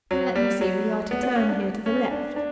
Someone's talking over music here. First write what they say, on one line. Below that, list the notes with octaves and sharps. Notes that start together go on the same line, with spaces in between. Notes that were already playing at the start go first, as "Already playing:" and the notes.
Let me see;--we are to turn here to the left.
F#3
G3
F#3
B3
B3
C#4
D4
C#4
D4
D4